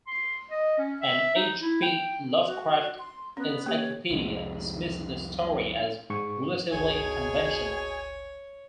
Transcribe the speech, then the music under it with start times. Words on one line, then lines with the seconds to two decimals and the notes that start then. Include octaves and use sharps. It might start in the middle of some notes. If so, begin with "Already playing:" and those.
"An H. P. Lovecraft Encyclopedia" dismisses the story as "relatively conventional".
0.07 C6
0.51 D#5
0.78 C#4
1.02 E5
1.36 D#4
1.61 E4
1.82 G5
2.45 F#4
2.99 C6
3.37 B3 C#4
3.66 A#3 G4 C#5
4.10 C2 F2 G#3
6.10 G#2 C#6
6.72 G1 C#2 B2 G#4 C#5 G#5